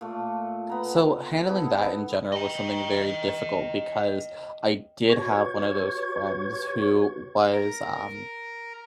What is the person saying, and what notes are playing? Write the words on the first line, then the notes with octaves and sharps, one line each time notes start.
So, handling that in general was something very difficult, because I did have one of those friends who was, um
A#2 A3
B3 A#5
B3 E4 A4
D#5 G5
F#4 G4 B4 C#5 C#6 G#6
A#4